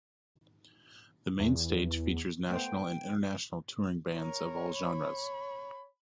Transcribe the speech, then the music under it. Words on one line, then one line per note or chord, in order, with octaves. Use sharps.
The Main Stage features national and international touring bands of all genres.
E2
A3 B3 C5 G5
A#4 C#5
B5